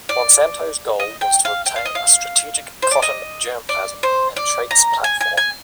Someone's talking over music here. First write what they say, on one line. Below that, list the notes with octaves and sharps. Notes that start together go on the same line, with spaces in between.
Monsanto's goal was to obtain a strategic cotton germplasm and traits platform.
D5
D#5
G5
F5
G5
F5
D#5
F5
C5
D5
D#5
D5
C5
D5
A#5
G#5
G#5
G#5